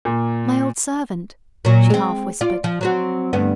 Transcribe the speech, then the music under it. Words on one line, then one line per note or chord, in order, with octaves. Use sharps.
"My old servant," she half whispered.
A#2
A#2 F#3
G#3 C4
F4 D5
F3
F#3 C4 F#4
D2 G2 B3